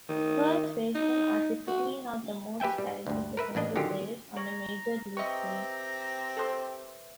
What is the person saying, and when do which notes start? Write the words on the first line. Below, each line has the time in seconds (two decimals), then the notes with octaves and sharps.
First basemen are typically not the most talented defensive players on a major-league team.
0.09 D#3
0.95 D#4
1.68 F#4
2.60 G4 B4 E5 G5 G#5
2.78 G3
3.07 D2 G2
3.37 A#4 B4 E5
3.55 A1 A#3 D4 D#5
3.76 D3 D#3 F#3 C#4 F4 G4
4.37 C#5 A#5
5.17 C4 G4 B4 D#5 E5 A#5 C#6
6.37 A4 C5